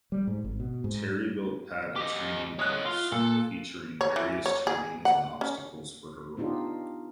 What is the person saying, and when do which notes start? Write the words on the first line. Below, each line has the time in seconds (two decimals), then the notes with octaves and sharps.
Terry built Pat a training course, featuring various terrains and obstacles for her rolling.
0.12 G3
0.27 G#2
0.45 G#1
0.60 B2
0.84 G#2
1.96 G4 D#5
2.59 C#5 D#5 D#6 F#6
2.86 F4
3.12 A#2 A4
4.01 C#5
4.16 E3
4.46 C#5
4.67 G#4
5.05 F#5
5.41 C#4
6.37 B3 D4 D#4 F4 G4